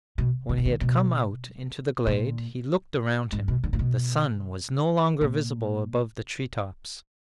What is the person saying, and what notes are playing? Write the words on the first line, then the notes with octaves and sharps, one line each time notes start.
When he had come out into the glade he looked around him; the sun was no longer visible above the tree-tops.
B2
D3
B2
D3
B2
A#2
G#2
B2
D3
A#2
B2
A#2